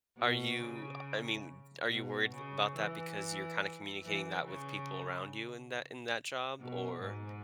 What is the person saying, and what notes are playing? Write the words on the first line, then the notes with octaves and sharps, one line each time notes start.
Are you I mean, are you worried about that because you're kinda communicating that with people around you in that in that job, or,
B2
C#3
B2
C#3
E3
E3
C#3
B2
G#2